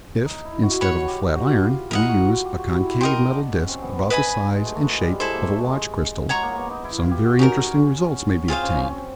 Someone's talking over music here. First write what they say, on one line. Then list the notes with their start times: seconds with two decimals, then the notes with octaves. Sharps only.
If, instead of a flat-iron, we use a concave metal disk about the size and shape of a watch crystal, some very interesting results may be obtained.
0.26 D#4
0.45 E4
0.63 F#4
0.81 F#4 C#5 F#5 B5
1.08 G4
1.35 F#4
1.63 F4
1.90 E4 A#4 D#5 F#5
2.09 F#4
2.27 F4
2.45 G4
2.59 F#4
2.73 E4
2.86 E4
3.00 D#4 A#4 D#5 G5 C6
3.28 D4
3.55 C#4
3.68 C4
3.82 B3
3.96 B3
4.10 B4 D#5 G#5 B5
4.55 G#3
4.65 A3
4.76 A3
4.82 G#3
5.01 G3
5.20 G#3 E4 A4 C5
5.34 A#3
5.47 A3
5.61 G#3
6.29 G#3 C#5 F#5 A#5 C#6
6.43 A#3
6.57 B3
6.70 D#4
6.84 E4
6.98 F4
7.11 G4
7.25 F#4
7.39 C#4 D#4 G4 A#4
8.48 C4 F4 G#4 C5 F5
8.63 C#4
8.76 C#4
8.90 C4